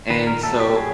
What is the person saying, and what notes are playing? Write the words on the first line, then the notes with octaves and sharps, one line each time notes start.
And so
D#3 B4
A#4
F#3 A3 A4
G4
F#3 G#4